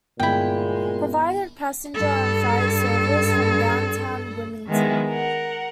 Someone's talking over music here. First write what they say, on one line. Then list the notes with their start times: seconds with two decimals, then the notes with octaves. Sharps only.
Provided passenger and freight service from downtown Wilmington.
0.20 G2 A#2 D3 G#3 B3 E4 G5
1.95 G2 A4
4.68 D#3 G#3 B3 E4
5.09 A#4 F#5